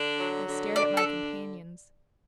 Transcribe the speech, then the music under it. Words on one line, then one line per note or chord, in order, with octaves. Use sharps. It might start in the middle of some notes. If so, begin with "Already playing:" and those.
I stared at my companions.
Already playing: D3 D4
F#3
D3
D4 D5
A4
D3